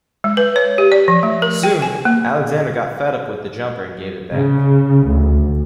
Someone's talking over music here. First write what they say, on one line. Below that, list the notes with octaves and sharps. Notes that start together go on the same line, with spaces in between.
Soon, Alexander got fed up with the jumper and gave it back.
G#3
B4
C#5
G4
D5
F3
A3
A#4
G5
G#5
A#3
C#3
D2